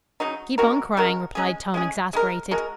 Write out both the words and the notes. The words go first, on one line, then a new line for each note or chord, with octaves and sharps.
"Keep on crying," replied Tom exasperated.
C#3 F#3 D#4
C#3 G#3 F#4 A#4
C#3 G#3 F#4 A#4
G#3 C#4 G#4
G#3 C#4 G#4
G#3 F#4 A#4
G#3 F#4 A#4